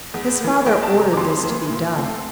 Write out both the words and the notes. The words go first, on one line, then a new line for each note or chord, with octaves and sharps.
His father ordered this to be done.
E2
E3 A#3
E2 G5
A5
C3 G3
A#5
D6
F2 C6
E3
A#3
A#2
A3 C4